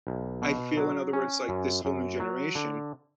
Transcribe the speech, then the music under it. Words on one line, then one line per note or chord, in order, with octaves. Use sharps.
I feel in other words, like, this whole new generation,
B1
B2
F#3
C#4
F#2
F#2
F#3
D3